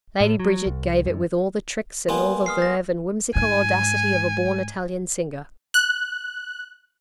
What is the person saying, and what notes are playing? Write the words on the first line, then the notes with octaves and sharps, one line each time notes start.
Lady Bridget gave it with all the tricks and all the verve and whimsical audacity of a born Italian singer.
A2
F#3
C2
F#2
G3 A#3 B3 G#5 C6
D#6 F6 C7
A#6
G#2 G#5
F#6